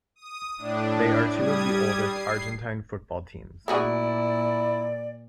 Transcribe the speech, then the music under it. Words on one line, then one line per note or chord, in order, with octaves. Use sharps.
They are two of the oldest Argentine football teams.
D#6
A2 D4
G3 D#6 G#6
C7
A#2 A3 E4 F#4 G#4 D5